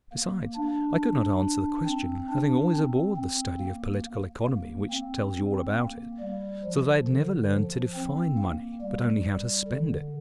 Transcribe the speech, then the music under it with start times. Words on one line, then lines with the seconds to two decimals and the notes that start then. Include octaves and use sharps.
Besides, I could not answer the question, having always abhorred the study of political economy, which tells you all about it; so that I had never learned to define money, but only how to spend it.
0.12 A#3
0.56 D4
1.86 C4
2.29 D4
2.73 C4
3.16 C4
3.60 A#3
4.47 A#3
4.90 C4
5.34 C4
5.77 A#3
6.20 G3
6.64 F3
7.08 D3
7.51 F3
7.95 C4
8.38 A#3
8.81 G3
9.68 D3